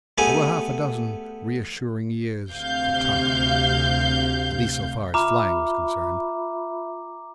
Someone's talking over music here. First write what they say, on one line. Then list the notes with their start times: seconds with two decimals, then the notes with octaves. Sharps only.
There were half a dozen reassuring years for Tom--at least so far as flying was concerned.
0.18 A3 B3 G4 G#4 G#5
2.51 D2 C3 F5 G6
5.14 F4 E5 A#5 B5 D6